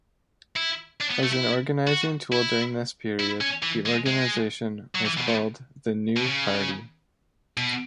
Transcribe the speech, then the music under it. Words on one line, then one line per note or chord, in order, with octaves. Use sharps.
As an organizing tool during this period, the organization was called the New Party.
E4
D4
B3
A3
E4
F#4
E4
E4
C#4
E3
G#3
G#3
F#3
E3
B2
A2
B2
C#3
B2